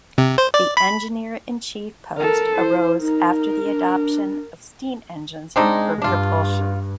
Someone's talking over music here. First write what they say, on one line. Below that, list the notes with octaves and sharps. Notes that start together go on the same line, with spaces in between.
The Engineer-in-Chief post arose after the adoption of steam engines for propulsion.
C3
C5
D5
B5
A4 A#4
E4 C5
D#4 A#4
D4
G#3 C4 D4 D#4
G2 D4 F4